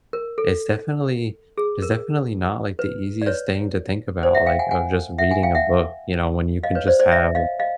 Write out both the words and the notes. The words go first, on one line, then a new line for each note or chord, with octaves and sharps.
it's definitely it's definitely not, like, the easiest thing to think about, like, of just reading a book, you know, when you can just have
A#4
A4
G#4
A#4
B4
D5
B4 C#5
C5 D5
E5 F#5
F5 G5
F#5 G#5
F#5 G#5
E5 F#5
F#5 G#5
F5 G5
E5 F#5
D#5 F5
B4 C#5
C5 D5
C5 D5
D5 E5
D#5 F5
D#5 F5